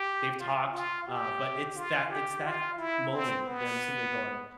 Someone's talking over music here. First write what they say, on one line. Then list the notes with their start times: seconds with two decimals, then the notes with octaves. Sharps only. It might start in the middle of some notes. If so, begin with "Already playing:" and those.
They've talked, uh, but it's that it's that moment, them sitting there going
Already playing: G4
0.39 F4
0.73 F4
1.07 G4
1.76 F4
2.10 G4
2.44 F4
2.78 E4
3.13 C4
3.47 B3